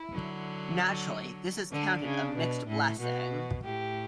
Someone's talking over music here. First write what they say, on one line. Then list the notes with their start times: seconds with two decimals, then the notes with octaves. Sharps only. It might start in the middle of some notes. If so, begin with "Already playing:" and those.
Naturally, this is counted a mixed blessing.
Already playing: E4
0.12 D3 F#3
1.72 D3 D4
2.04 C#3
2.36 B2
2.68 A2
3.00 B2 F#4
3.64 A2 G4